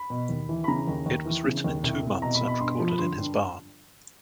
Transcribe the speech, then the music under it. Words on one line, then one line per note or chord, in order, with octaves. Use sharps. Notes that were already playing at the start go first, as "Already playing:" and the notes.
It was written in two months and recorded in his barn.
Already playing: B5
B2
D#2
E3
B5
C#3 A#5
D#2
D#2
E3
C#3
D#2
C2
C2
B2 A#5
B5
B2
B5
G2 C6
F3
B5
D3 C6
G2